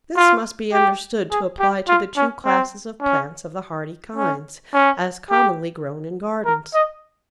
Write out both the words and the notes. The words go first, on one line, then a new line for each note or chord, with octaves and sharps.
This must be understood to apply to the two classes of plants of the hardy kinds, as commonly grown in gardens.
F4
G4
G#4
G4
F4
C#4
C4
C#4
C#4
C#4
G4
A#4
D#5